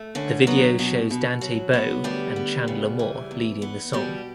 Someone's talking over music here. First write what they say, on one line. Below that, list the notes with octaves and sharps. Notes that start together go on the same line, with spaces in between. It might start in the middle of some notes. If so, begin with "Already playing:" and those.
The video shows Dante Bowe and Chandler Moore leading the song.
Already playing: A3
D3 C#4
F#3 B3
B2
B2
F#3
B3
D2 G3 G4
B3
C#3
E3
E2
B3
B2 G3 G4